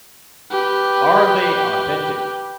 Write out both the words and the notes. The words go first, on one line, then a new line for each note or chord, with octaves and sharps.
Are they authentic?
G4 B4